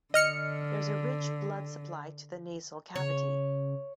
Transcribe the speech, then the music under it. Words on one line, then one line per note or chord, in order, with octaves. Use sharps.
There is a rich blood supply to the nasal cavity.
D3 D#5 F6 C#7
C#3 C#5